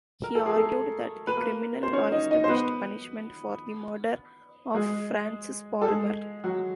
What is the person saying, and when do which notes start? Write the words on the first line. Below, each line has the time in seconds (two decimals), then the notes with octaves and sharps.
He argued that the criminal law established punishment for the murder of Francis Palmer.
0.24 A#4
0.35 A4
0.46 G#4
0.56 A3 A4
1.27 B4
1.37 A#3 A#4
1.83 C5
1.93 C#4 C#5
2.12 D#4 D#5
2.31 D#4 D#5
2.44 C5
2.49 B3 B4
4.75 G#3 G#4
5.82 A4
5.87 G#3 G#4
6.44 F#3 F#4